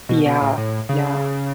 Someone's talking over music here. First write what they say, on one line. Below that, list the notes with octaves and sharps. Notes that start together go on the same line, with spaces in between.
Yeah, yeah.
B2
B2
A2
A2
C#3